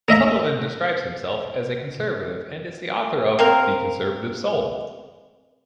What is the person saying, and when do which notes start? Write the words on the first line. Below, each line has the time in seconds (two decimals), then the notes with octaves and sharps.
Sullivan describes himself as a conservative and is the author of "The Conservative Soul".
0.08 A#3 D#5 E5 A#5
3.39 A#3 C4 A#4